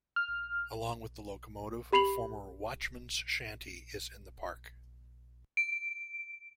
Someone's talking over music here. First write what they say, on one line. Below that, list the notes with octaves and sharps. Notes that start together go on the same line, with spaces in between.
Along with the locomotive, a former "watchman's shanty" is in the park.
F6
G4 B5 C7 F7 F#7
D7